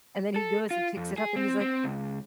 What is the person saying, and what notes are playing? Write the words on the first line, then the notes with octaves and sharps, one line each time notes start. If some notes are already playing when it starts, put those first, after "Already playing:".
and then he goes and picks it up and he's, like,
A4
F4
F2
G#4
C4
C4
C#2